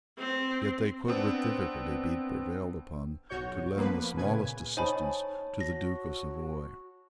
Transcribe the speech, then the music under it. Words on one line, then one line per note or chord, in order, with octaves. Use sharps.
Yet they could with difficulty be prevailed upon to lend the smallest assistance to the Duke of Savoy.
C4
B3 C4 D4
B1 F#4 C#5 C#6 G6
F3 A#3 B3 B4
A#2 C#3 B4 G#5 G#6
D#4 C5 C#5 G#5 A5 B5
F#4 A#6